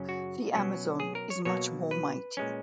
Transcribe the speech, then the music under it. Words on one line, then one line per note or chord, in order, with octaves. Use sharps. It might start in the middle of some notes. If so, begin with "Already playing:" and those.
The Amazon is much more mighty.
Already playing: F#2 C#3 F#3 C#4
F#4
B2 F#3 C#4
G#4
A#4
C#5
B2 F#3 A#3 C#5
B4
A#2 G#3 C#4